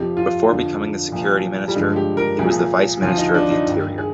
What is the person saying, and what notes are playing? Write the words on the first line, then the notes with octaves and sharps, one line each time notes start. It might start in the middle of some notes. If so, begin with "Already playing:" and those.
Before becoming the security minister, he was the vice minister of the interior.
Already playing: F2 C3 F3 G4
F4
F2 D3 F3
C2 A#2 F3
G3
G2 D3 F3 G#3
G4
A#4
C2 A#2 F3 G#4
D2 C3 F3 F4
D#4
D4
D#4
G2 D#3
G#4